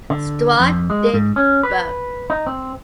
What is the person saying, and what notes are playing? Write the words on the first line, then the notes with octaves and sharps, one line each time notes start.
Stroh did both.
D3
F2
G#3
G#2
C#4
B4
D#4
C4